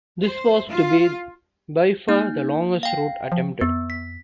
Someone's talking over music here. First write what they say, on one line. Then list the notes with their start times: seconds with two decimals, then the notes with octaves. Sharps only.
This was to be by far the longest route attempted.
0.22 C5
0.68 F4
2.09 A#3 D#4 G6
2.83 F5 G5
3.32 F3
3.61 F2 B3
3.90 B6